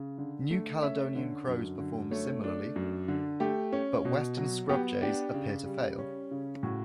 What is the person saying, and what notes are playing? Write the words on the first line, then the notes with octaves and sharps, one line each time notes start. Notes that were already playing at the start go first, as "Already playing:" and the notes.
New Caledonian crows perform similarly, but Western scrub-jays appear to fail.
Already playing: C#3
D3
A3
C#4 E5
D3
F#2
D3
A3 C#5
D4
F#2
D3
A3 G4
C#4
B2
F#3
B3 G4
D4 G4
C#3
G3
C#4
C#3
A2 F#4